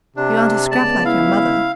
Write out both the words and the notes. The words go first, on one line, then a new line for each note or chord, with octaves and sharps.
You aren't a scrap like your mother.
C3 D4
C#3 G#3 B3 D5 A5
E4 F5